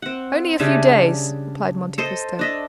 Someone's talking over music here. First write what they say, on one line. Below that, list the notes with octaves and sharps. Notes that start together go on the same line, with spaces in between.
"Only a few days," replied Monte Cristo.
C4 F#5
C#3 G3 D4 E5
A4 C5 D#5
D4 D#5 E5